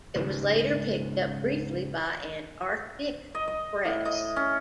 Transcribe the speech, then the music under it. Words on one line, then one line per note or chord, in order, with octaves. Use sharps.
It was later picked up briefly by Antarctic Press.
C#2 G#2 D#3
D#5
D#5
A2
D#5
C#4